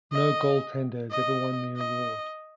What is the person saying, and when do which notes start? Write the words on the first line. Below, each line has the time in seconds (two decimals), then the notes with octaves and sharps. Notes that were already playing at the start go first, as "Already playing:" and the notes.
No goaltender has ever won the award.
0.12 D#5
1.11 D#5
1.77 D#5